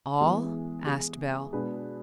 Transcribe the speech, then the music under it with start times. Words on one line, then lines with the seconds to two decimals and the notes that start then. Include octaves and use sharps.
"All?" asked Bell.
0.20 E3 G#3 B3 G#4
0.86 G#4
1.52 B2 G#3 B3 D4 G#4 B4